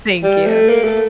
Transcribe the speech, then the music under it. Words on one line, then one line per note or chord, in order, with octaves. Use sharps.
Thank you.
G3
A3
A#3
A3